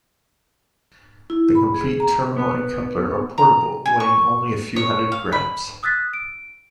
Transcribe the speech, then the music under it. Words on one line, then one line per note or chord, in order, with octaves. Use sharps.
The complete terminal and coupler are portable, weighing only a few hundred grammes.
E4
B5
G#4
A#5
B3
A#5
G#5
C#6
C#5
F5
B5
D#6 E6 F#6 A6 B6
D7